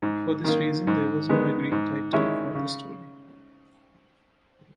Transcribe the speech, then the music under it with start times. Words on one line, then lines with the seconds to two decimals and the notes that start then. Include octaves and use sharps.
For this reason, there was no agreed title for the story.
0.02 G#2
0.44 D#3 A#3
0.87 G#2
1.29 D#3 G#3 B3
1.72 G#2
2.13 D#3 G#3 C#4 E4
2.55 C#3